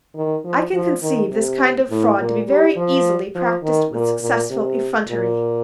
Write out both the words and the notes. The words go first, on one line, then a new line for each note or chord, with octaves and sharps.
I can conceive this kind of fraud to be very easily practised with successful effrontery.
D#3
F3
F3
D#3
C3
A2
A#2
G3
F3
F3
D#3
A#2
A#2
C3
A#2